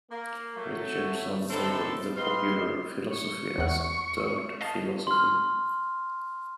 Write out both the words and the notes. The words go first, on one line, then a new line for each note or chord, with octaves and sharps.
Richardson labeled the popular philosophy as "dirt philosophy".
A#3
F#3 A3
A2 D3 D#3 C4 A4
C4 B4 D#5 F5 C6
C#6
E2 F#5
D#5 F5 A5
C6 F6